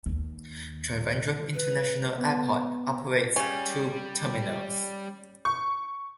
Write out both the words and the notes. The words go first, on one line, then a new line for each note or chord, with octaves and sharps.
Trivandrum International Airport operates two terminals.
D#2
B4
B3
C#3 G3 C#4
C#6